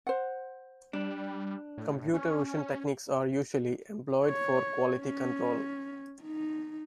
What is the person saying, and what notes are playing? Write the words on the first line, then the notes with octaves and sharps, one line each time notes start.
Computer vision techniques are usually employed for quality control.
C5 F#5
G3 D4
A2
C#4
C#5
C#4
D#4